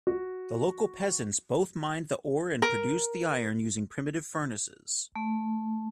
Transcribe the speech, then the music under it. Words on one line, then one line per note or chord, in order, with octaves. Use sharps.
The local peasants both mined the ore and produced the iron using primitive furnaces.
F#4
A#4
A3